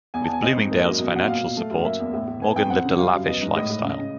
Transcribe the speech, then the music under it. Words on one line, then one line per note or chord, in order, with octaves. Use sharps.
With Bloomingdale's financial support, Morgan lived a lavish lifestyle.
E2 G#5
A5
E2 G#5
C4 D#5
G#2
A#3
F#2
B2
B2 F#5
A#2 F5
A#2
A3
F#2
A#3 E5
E2
A2 E5
A2
B3 G#5
F2 G5
C4 F#5
C#3
G3 F5
F#2
B3 D#5
G#2
A2 D#5
A2
C#3
C#3